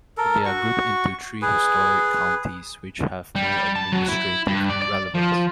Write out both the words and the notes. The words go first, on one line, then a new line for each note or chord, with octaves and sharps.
They are grouped into three historic counties, which have no administrative relevance.
A4 A#4
F#4 C#6
G#4 B4
G3
A5
F#3
E4
G2
D5
D5
F3